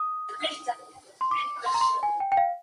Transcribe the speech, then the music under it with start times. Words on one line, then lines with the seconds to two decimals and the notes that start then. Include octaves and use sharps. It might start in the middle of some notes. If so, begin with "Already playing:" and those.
Two cars of Satyaki were going to be delivered on the day of Mahalaya.
Already playing: D#6
1.21 C6
1.31 D6
1.66 C6
1.74 A#5
1.81 C6
2.03 G#5
2.20 G5
2.32 G5
2.37 F5